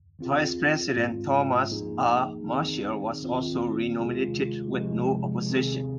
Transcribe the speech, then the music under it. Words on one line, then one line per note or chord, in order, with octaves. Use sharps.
Vice President Thomas R. Marshall was also re-nominated with no opposition.
D#3 C4 F4 G#4
G#2 G#3 C4 F4
F3 A#3 D#4 G#4
D#3 C4 D#4 G#4
D#3 C4 F4
C3 D#3 G#3 F4 G#4
C3 F3 G#3
C3 D#3 C4 G#4